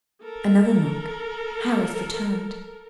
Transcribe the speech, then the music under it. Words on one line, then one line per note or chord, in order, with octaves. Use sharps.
Another knock: Harris returned.
A4 A#4